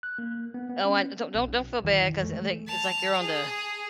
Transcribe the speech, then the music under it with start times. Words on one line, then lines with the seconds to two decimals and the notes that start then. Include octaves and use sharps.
Oh, I d don't don't don't feel bad, 'cause, i like it's, like, they're on the
0.03 F#6
0.18 A#3
0.54 B3
0.69 B3
0.85 C#4
1.35 B1
1.85 F2 D#3 E3
2.20 E3 G#3 A3
2.67 A5 F7
3.20 G#4